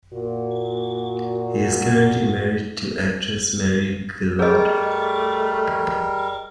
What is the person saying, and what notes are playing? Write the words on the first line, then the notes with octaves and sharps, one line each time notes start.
He is currently married to actress Marie Guillard.
A#2 F#4
G3 A3 G#4 A#4 D#5